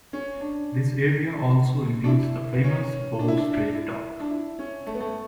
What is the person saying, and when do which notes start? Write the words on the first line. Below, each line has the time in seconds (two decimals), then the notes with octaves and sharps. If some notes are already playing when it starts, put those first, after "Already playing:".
This area also includes the famous Bow Street Dock.
0.13 C#4
0.41 D4
2.04 D4
2.08 E4
2.53 B3
2.64 C#4
3.19 D4
3.28 E4
3.37 D4
3.75 E4
4.20 D4
4.30 E4
4.59 C#4
4.87 A3
4.95 B3
5.01 A3